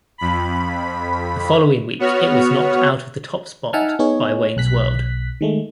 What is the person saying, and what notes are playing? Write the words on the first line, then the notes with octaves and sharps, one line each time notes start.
The following week it was knocked out of the top spot by "Wayne's World".
F2 B5
B3 F#4 C#5 F6
D#4 E5 F#5 G#5 A5 F6
B3 D#4 G#4 C#5
B1 F#6 B6
D#3 G#3 A3